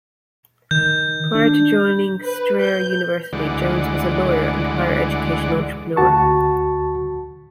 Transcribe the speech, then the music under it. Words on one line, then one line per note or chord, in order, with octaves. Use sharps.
Prior to joining Strayer University, Jones was a lawyer and higher education entrepreneur.
D#3 G6
D4
B4
G6
D2 E3 G#3 D5 F#5
D2 F#4 A5 C#6